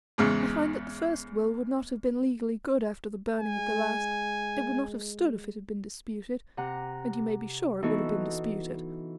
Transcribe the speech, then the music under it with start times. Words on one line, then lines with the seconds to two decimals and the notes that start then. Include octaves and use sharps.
I find that the first will would not have been legally good after the burning of the last; it would not have stood if it had been disputed, and you may be sure it would have been disputed.
0.18 E2 G#2 C#3
3.39 G#3 G#5
6.57 C3 F#5 A#5
7.83 E3 B3 D#4 F#4 A4